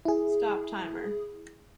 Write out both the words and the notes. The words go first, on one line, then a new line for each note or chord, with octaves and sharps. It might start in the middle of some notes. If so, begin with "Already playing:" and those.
Stop timer.
E4 G#4